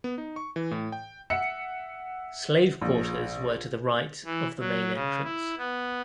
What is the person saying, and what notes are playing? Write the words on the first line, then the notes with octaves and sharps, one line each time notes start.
Slave quarters were to the right of the main entrance.
B3
D#4
C#6
E3
A2
G5
E5 F#5 C#7
A#1
E3
F#3
C#3
E4
B3